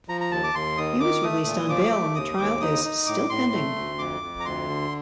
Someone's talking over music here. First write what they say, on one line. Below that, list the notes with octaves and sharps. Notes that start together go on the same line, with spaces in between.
He was released on bail and the trial is still pending.
F3 A#5
A#5
D#2 A5
D6
D#2 C6
D#3 D#6
D#3 D6
A3 D#6
A#2
F3 D6
A3
D#2 D#6
D#2 D6
D#4 D#6
D#4
A2 D6
A2 C6
A3
D2
F2 D6
F2
A#5
D2 C6
D3